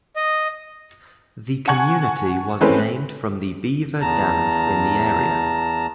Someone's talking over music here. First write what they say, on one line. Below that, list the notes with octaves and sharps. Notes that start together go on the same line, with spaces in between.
The community was named from the beaver dams in the area.
D#5
F#5 G#5 A5 C#6 G#6 F#7
E3 G#3 A3 C4 C#4 B4
E2 A5 A#5